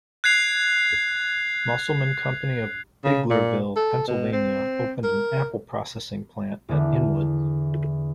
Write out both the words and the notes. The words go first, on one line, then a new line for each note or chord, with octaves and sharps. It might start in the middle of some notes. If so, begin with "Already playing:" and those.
Musselman Company of Biglerville, Pennsylvania, opened an apple processing plant at Inwood.
F#6 G#6 C7 F7
C#3
A#2
A4
B2
C4
A#4
E2 D3